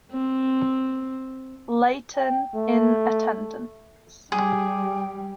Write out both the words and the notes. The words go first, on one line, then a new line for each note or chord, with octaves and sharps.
Leighton, in attendance.
C4
G5
A3
G3 G4 G#4 G5